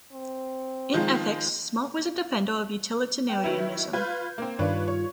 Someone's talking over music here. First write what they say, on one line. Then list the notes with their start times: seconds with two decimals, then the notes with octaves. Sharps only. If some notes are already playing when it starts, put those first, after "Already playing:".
In ethics, Smart was a defender of utilitarianism.
0.12 C4
0.94 D#3 F3 G#3
3.29 B4 G5
3.44 D#3 F#3 E4
3.93 F4 B4 G6 G#6
4.38 A#3 C4
4.59 G2 D#3 D4 F4 B4 C#5
4.88 C#5